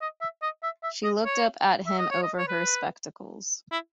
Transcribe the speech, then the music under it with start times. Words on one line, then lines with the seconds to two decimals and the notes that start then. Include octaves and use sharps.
She looked up at him over her spectacles.
0.01 D#5
0.21 E5
0.42 D#5
0.63 E5
0.83 E5
1.04 D#5
1.25 C#5
1.86 E5
1.98 D#5
2.11 C#5
2.23 D#5
2.38 C#5
2.48 B4
3.72 E4